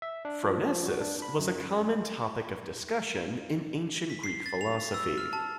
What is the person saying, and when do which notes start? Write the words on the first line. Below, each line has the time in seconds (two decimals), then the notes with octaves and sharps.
Phronesis was a common topic of discussion in ancient Greek philosophy.
0.02 E5
0.25 D4
0.43 F3
0.63 F3
0.86 F#4
1.01 D4
1.22 B5
1.39 F#2
4.10 B6
4.24 C7
4.46 A6
4.61 F7
4.94 E6
5.18 F6
5.33 A5